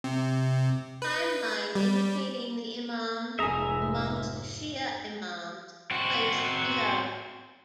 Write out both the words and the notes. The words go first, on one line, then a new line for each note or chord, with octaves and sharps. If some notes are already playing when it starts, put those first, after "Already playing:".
Time line indicating the Imam amongst Shia Imams placed below.
C3
B4
G3
F1 G#2 G#4 E5 G#5 A#5
C4 F#4